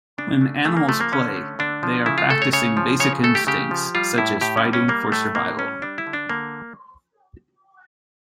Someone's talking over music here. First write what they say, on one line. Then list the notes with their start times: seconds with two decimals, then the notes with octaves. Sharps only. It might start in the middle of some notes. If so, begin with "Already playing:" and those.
When animals 'play' they are practising basic instincts, such as fighting, for survival.
0.18 C#3 D4
0.41 A3
0.65 C#3 A3
0.77 A#3
0.89 F3 A3
1.00 A#3
1.12 D3 C#4
1.36 A3
1.59 D3 D4
1.83 F3
2.06 C#3 E4
2.18 F4
2.30 A3 A4
2.42 C#5
2.53 C#3 C#5
2.77 F3
3.00 C#3 C#5
3.23 A3 A4
3.35 G4
3.47 C#3 G4
3.71 F3
3.95 G3 F4
4.18 A2 E4
4.41 A2 G4
4.57 C#4
4.65 G3
4.73 C#4
4.88 G3 A#3
5.12 A2 A3
5.35 A2 A#3
5.59 G3 C#4
5.82 G3 D4
5.98 E4
6.07 D3
6.13 D4
6.29 D3 A#3